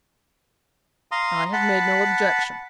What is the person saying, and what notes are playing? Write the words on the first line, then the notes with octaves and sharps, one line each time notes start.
"I have made no objection."
F5 A#5 C6 D#6
F#5 A5 B5